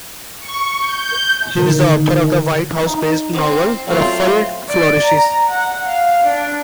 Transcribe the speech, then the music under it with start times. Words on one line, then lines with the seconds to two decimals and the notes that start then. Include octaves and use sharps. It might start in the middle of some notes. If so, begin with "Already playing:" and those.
He is the author of the White House-based novel, "Ruffled Flourishes".
0.38 C#6
0.79 G6
1.56 A#2 D3 D#3 A#4
2.86 D#4
3.33 C4
3.87 F#3 A3 C4 F4
4.69 D5
5.04 A#5
5.48 F#5
5.87 F5
6.24 D4